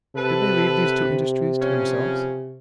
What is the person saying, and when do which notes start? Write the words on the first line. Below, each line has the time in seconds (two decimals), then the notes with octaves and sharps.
Did they leave these two industries to themselves?
0.16 C3 A4 B4
1.60 C#3 F3 C#4